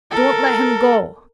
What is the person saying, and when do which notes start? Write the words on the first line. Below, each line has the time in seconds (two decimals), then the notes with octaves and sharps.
"Don't let him go."
0.11 A4 A#4